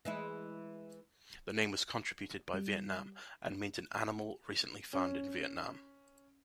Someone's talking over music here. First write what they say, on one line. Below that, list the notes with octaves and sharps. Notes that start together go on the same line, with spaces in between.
The name was contributed by Vietnam and means an animal recently found in Vietnam.
E3 G#3 E4
G3
C#4